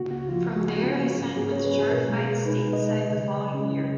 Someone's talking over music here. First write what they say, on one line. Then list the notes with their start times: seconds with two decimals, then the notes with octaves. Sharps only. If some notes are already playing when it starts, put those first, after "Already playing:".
From there, he signed with Shark Fights stateside the following year.
Already playing: C#3 A#3 F#4
0.11 C#2 F#4
0.29 F3 F4
0.48 A#3
0.56 F#4
0.64 C#3 G#4
0.71 F#4
0.83 C#4 F4
1.01 F#3
1.10 F#4
1.19 G#2
1.37 A#3 G#4
1.52 C#5
1.56 C#4
1.64 B4
1.74 F#3 G#4
1.91 B2 A#4
2.10 G#3
2.19 G#4
2.29 B2
2.46 D#4 B4
2.64 B2
2.73 D#5
2.82 G#3
3.00 C#3
3.18 F#3
3.37 C#3
3.54 C#4
3.73 C#3